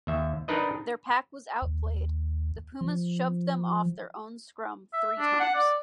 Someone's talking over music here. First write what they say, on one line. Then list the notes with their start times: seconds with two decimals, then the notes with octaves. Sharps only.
Their pack was outplayed; the Pumas shoved them off their own scrum three times.
0.07 D#2 E5
0.48 D4 D#4 A#4 B4 D#5
1.62 D#2
2.81 F3
4.93 E5
5.19 D4
5.40 F#5
5.55 D5